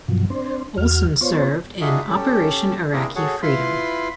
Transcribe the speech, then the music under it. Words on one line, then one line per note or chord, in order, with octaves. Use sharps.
Olson served in Operation Iraqi Freedom.
G2 B2 F3 F#3
C4 D4 C5
E2 F#4 F6
B3 F4 C5 C#5
D4 D#4 F4 F#4 G#4 E5
C#4 G4 A4
A#3 C4 D4 E4 G#4 A#4
F#4 G#4 A4 C#5 F#5
E4 F4 B4 B5 C6